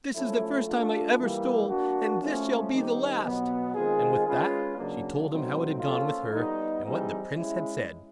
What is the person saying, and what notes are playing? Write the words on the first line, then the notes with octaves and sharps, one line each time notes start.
This is the first time I ever stole, and this shall be the last'; and with that she told him how it had gone with her, and what the Prince had said.
F3 A3 C#4 E4 A4
A3 D4 F4
E3 G3 A#3
A#3 D4 F#4
F3 A3 C#4
D#3 G3 C4 D#4 G4
B2 F#3 B3
D#3 G#3 C4 F4 G#4
G#3 C#4 F4 G#4 B4
C#3 F#3 A#3 D4
B2 F#3 A3 C4 D#4
F3 A#3 C#4 F4 A4
G3 B3 D#4
E3 G3 C4 D#4 G#4
G#3 C#4 E4